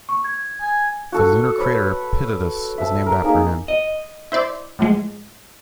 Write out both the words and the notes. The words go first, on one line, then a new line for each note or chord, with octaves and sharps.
The lunar crater Pitatus is named after him.
C#6
G#6
G#5
F#4 A4
B4 C#5
E5 A5
A#4
A#3 D#4 G#4
D#5
E4 C5 D5
A2 F3 G#3